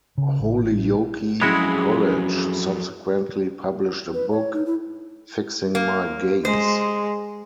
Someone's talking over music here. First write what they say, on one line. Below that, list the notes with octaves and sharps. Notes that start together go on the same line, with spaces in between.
Holyoke College, subsequently published a book, Fixing My Gaze.
C#3
A1
F2 F#3 G#3 C#4 E4 F#4 G#4 B5
B4
C#5
D#4
E4
A#3
G#3 C5